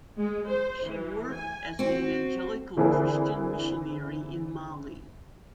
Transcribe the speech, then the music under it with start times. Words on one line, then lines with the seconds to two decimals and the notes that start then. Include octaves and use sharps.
She worked as an Evangelical Christian missionary in Mali.
0.18 G#3
0.48 C5
0.85 E3
1.33 G#5
1.79 C4 F#4
2.77 D3 E3 C4 E4 G#4 A#4